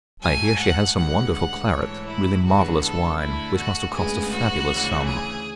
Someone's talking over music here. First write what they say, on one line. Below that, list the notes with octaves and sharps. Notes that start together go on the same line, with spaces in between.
I hear she has some wonderful claret, really marvellous wine, which must have cost a fabulous sum.
G#2 F#3 A3 G#5
F#5
E2 D3 G#3 B3 F#5
F#5
G#2 E3 A3 C#5
E4
E2 D3 G#3 B3 F#4
A4
D2 D3 A3 E4
F#4
D2 C#3 G#3 B3 G#4
F#4
D2 C#3 E3
G#4